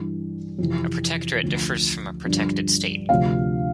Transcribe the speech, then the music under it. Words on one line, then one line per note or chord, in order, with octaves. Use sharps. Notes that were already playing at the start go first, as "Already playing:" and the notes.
A protectorate differs from a "protected state".
Already playing: G2 E3
F2 C3 E3
D2 D3 F3
G2 D3 F3
D2 C3 F3 F5